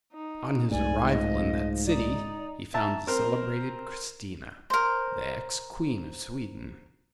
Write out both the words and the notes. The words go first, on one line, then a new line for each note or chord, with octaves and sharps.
On his arrival in that city, he found the celebrated Christina, the ex-queen of Sweden.
D#4
C2 G#2 A3 D5 G#5
F3 D#5
D#4 D5
E5 A5 A#5
C4 A#4 C5
A#4 C5